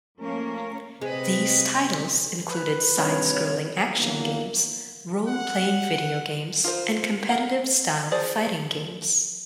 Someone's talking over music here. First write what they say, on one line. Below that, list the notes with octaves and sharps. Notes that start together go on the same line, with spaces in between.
These titles included side-scrolling action games, role-playing video games and competitive-style fighting games.
F3 A3 A#3 C#4 A#4 C#5
C3 G#3 C4 B4 D#5
B4
C2 G2 C#5
E2 D3 E3 F#3 A#3
F#5
F4 A#4 C5
A#4 F#5
F3 G#4 C5 D5